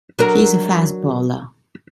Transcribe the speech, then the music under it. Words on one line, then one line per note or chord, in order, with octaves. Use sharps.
He is a fast bowler.
F#3 D4 A#4